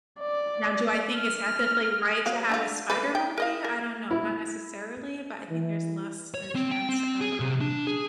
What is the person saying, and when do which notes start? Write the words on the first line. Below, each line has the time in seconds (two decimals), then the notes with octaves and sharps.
Now do I think it's ethically right to have a spider monkey? I don't know. Not necessarily, but I think there's less a chance of, um,
0.20 D5
1.15 F6
2.26 F#3 B3 F5
2.49 D3 C#4 F4
2.90 D3 B4
3.15 G5
3.38 A#4 D#5 F5
3.64 A#4
4.11 E4
5.51 E3
6.34 C#5
6.55 C4
6.71 G5
6.89 C4
7.21 G#4
7.40 C3
7.61 D4
7.87 G#4